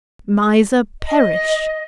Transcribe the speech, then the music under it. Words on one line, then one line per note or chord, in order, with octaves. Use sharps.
Miser, perish!'
D#5